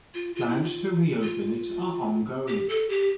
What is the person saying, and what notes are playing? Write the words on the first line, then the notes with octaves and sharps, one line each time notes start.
Plans to reopen it are ongoing.
F4
F4
E4
F4
F4
G4
A4
G4